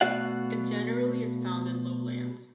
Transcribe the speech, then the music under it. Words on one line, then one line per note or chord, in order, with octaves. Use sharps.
It generally is found in lowlands.
B2 A3 F#4 D5 F5 F#5